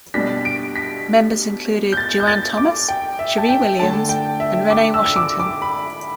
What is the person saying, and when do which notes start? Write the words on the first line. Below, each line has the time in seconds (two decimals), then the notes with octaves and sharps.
Members included Joanne Thomas, Cheri Williams, and Renee Washington.
0.14 B2 G3 D4 B6
0.45 D7
0.76 B6
1.92 G6
1.97 A6
2.20 G6
2.27 A6
2.57 D6
2.89 G5
3.19 E5
3.38 A5
3.49 G5
3.79 D3 A3 D4 A5
4.09 G5
4.40 E5
4.70 D6
4.94 E6
5.06 E6
5.16 D6
5.40 D6
5.62 B5